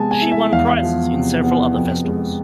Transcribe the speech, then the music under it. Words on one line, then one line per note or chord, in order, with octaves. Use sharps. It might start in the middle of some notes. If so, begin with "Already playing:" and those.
She won prizes in several other festivals.
Already playing: C3 G#3 B3 G#5 A5
G#5
E4
E5
E2 F5
F5
F3
C3
B3
F2
G#3